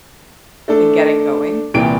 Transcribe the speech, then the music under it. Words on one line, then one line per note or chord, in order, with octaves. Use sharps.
and getting going.
A3 D4 A4
C2 A#2 E3 G5 D7